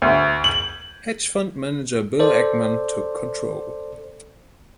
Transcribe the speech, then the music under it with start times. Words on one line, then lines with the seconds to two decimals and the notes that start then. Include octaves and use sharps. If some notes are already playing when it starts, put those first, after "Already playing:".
Hedge fund manager Bill Ackman took control.
0.02 D2
0.44 F#7
2.20 A4 C5 D5